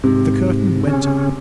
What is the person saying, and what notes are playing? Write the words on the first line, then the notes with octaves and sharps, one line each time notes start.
The curtain went up.
G#2 C3
C#3 C#4